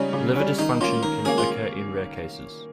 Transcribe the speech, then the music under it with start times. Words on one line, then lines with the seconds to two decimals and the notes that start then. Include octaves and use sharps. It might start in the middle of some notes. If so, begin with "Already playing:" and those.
Liver dysfunction can occur in rare cases.
Already playing: C#3 G3 C#4 D#4
0.13 C#3
0.36 G3 C#4
0.58 D#3 D#4
0.81 A#3 C#4 F4
1.03 D#3 A#4
1.25 A#3 C#4 G#4
1.38 F4